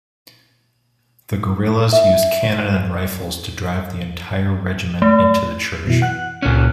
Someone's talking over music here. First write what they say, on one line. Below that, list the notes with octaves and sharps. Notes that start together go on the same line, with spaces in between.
The guerillas used cannon and rifles to drive the entire regiment into the church.
E5
A3
F#2 B2 E3
F#5 F#6
C#2 A#2 C#4 F#6